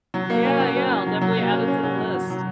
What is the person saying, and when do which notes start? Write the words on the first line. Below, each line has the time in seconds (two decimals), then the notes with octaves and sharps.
Yeah, yeah, I'll definitely add it to the list.
0.14 F#3
0.30 A#3
0.45 C#4
0.60 F#3
0.76 C#4
0.91 F#3
1.07 F#3
1.21 F#3
1.37 A#3
1.52 C#4
1.68 C#4
1.83 F#3
1.99 F#3
2.15 F#3
2.30 F#3